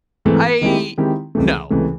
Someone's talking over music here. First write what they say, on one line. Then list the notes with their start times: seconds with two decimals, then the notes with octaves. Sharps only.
I no.
0.25 G#2 E3 A3 C4
0.61 D#3 G#3 C4 E4 G4
0.98 D#3 G#3 C4 E4 G4
1.35 C#2 C3 E3 A3
1.70 C#2 C3 E3 A3